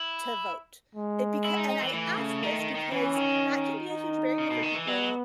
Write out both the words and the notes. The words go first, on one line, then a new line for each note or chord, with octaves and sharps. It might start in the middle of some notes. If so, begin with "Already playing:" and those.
to vote? It becau and I ask this because that can be a huge barrier for people,
Already playing: E4
G#3
E4
D#4
D#4
E3
E3 A3
C#3
D#3
D#3
D#3
E3 C#4
D#3
D#4
C#3
B2
D#3
E3
F#3 B3